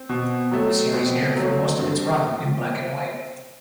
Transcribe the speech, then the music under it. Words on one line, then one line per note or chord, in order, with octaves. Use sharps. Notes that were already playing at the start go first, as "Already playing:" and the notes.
The series aired for most of its run in black-and-white.
Already playing: C4
B2
F#3 A3
B2 C4
F#3 A3
G2